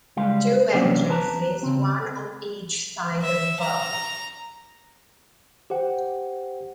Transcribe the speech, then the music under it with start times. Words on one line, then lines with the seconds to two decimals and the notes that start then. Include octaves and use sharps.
Two entrances, one on each side of boul.
0.17 C#2 G3 G#3 F5
0.74 C3 F#3 G3 A#3 C#4 D4
1.08 E2 B4 A5 A#5
1.63 C#3 C4
3.22 E5
3.60 A#5
5.70 G4 C5 F#5 G5